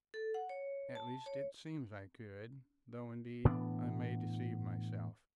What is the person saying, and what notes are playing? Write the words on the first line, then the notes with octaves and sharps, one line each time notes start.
At least, it seems I could, though indeed I may deceive myself.
A4
F#5
C#5
A5
C#5
A2 E3 B3 D4